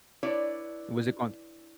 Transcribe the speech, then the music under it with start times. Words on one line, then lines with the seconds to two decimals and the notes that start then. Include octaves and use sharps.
Was it called?
0.23 D4 E4 B4 C#5 D5